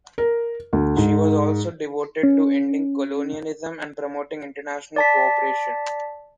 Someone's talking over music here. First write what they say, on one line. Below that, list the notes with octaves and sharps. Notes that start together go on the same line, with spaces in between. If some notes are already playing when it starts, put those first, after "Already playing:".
She was also devoted to ending colonialism and promoting international cooperation.
A#4
D2
G#2
C#4
D5 A5 B6